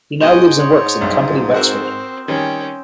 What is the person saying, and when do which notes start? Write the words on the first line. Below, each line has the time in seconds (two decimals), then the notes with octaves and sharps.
He now lives and works in Company Wexford.
0.20 G#2 B2 F#4 D#5 G#5 C6 G6 D7
0.57 C#5 C6 D#6
1.00 B1 G2 D4
1.54 C4 F#4 A#4 E6 G6 E7
2.28 D#3 G3 C#4 G5 C6